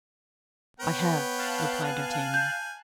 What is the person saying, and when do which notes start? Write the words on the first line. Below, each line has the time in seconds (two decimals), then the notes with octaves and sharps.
"I have," replied D'Artagnan.
0.80 B3 B4 C#5 G5
1.38 F5 A5 F#6
1.85 G#5
2.34 G6